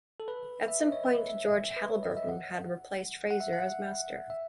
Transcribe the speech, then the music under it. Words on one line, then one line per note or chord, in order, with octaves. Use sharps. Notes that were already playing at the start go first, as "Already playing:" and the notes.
At some point George Haliburton had replaced Frazer as master.
A4
B4
E5
D#5
C#5
B4
E5
B4
C#5
D#5
E5
F#5
F#5
E5
F#5
E5